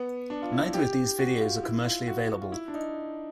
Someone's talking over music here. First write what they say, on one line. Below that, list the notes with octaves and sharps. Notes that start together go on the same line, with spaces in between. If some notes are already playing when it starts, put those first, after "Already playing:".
Neither of these videos are commercially available.
Already playing: B3
D4
F4
E4
G4
F#4
F4
E4
F4
F#4
F#4
F4
E4
D4
D#4